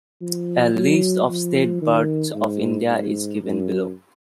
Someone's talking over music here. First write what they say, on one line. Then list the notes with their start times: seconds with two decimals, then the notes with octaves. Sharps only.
A list of state birds of India is given below.
0.21 F3
0.74 F#3
1.28 F3
1.82 D#3
2.35 G#2
2.89 G#2
3.43 F#2